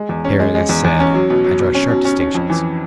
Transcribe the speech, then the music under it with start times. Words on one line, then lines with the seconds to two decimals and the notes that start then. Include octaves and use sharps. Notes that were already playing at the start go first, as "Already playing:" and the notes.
Herein, as said, I draw sharp distinctions.
Already playing: G#3
0.09 E2
0.24 C#4
0.39 G#3
0.55 G#3
0.69 E2
0.84 E2
1.00 C#4
1.14 F#3
1.30 B2
1.44 F#3
1.59 B2
1.75 C#4
1.90 B2
2.05 C#4
2.20 C#4
2.35 F2
2.50 E3